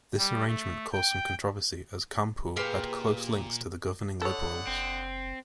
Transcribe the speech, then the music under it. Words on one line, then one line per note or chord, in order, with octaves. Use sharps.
This arrangement caused some controversy as Campeau had close links to the governing Liberals.
G3
A3
G5
A#2 G4 G#4 B4 F5
D3 A4 C#5 D#5 F#5
F#1 C4